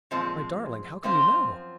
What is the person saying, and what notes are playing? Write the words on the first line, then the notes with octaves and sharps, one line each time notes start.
"My darling, how can you know?"
A#2 F3 G#3 C4
F#2 F3 C4 F4